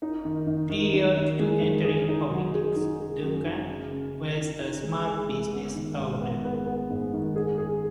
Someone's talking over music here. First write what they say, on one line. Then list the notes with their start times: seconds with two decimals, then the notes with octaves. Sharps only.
Prior to entering politics, Duncan was a small business owner.
0.02 D#4
0.25 D#3
0.47 D#3
0.70 D#3
0.93 D#3
1.16 D#3
1.39 G#3
1.61 D#3
1.84 G#4
2.08 D#4
2.31 F#3
2.54 G#4
2.76 D#4
3.00 G#4
3.22 F#2
3.45 D#4
3.68 C#3
3.91 C#3
4.15 C#3
4.37 D#4
4.60 D#4
4.83 G#3
5.07 G#4
5.29 G#3
5.52 B3
5.75 D#3
5.97 G#2
6.20 B3
6.44 B3
6.66 B3
6.90 G#2
7.13 D#3
7.36 G#4
7.58 G#4